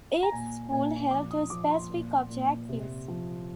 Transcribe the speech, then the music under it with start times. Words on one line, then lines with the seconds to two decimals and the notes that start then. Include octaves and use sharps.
Each school held to specific objectives.
0.23 A#5
0.32 A#2 G#5
0.71 A#2 G#5
1.11 F3 D6
1.31 D#6
1.50 F3 D6
1.71 C6
1.90 A#2
2.30 A#2
2.69 C3
3.08 F3